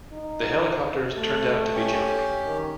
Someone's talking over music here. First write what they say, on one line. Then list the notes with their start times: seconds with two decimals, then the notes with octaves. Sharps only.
The helicopters turned out to be junk.
0.12 D#4
1.17 A3 A5
1.74 C#4 G4
2.45 D#3